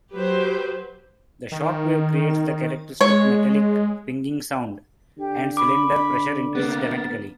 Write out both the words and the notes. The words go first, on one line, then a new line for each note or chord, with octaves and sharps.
The shock wave creates the characteristic metallic "pinging" sound, and cylinder pressure increases dramatically.
F#3 G4 B4 C5
D#3
G#3 C#5
D3 G4
B5 D6
A#3 B3 A6